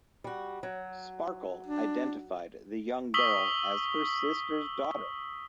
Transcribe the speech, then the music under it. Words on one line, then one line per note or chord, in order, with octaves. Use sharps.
Sparkle identified the young girl as her sister's daughter.
G3 F#4
F#3
D4
C#6 D#6 E6 B6 F#7 G7